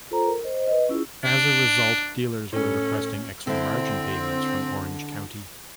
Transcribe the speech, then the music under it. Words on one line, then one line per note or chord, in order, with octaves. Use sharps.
As a result, dealers were requesting extra margin payments from Orange County.
F4 A4 C5 A#5
A#4
C5 D#5
B4 D#5
C#4 E4 F4 G#4
D4
A2 C#4 A4
D3 C4 E4